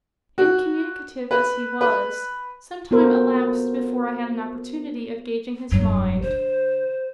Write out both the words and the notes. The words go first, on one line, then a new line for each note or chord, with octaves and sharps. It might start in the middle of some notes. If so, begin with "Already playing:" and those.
Incommunicative as he was, some time elapsed before I had an opportunity of gauging his mind.
F#4
B4
B4
B3 F4 F#4 A4 A#4 C5
F1 G2 F#3
D3 C5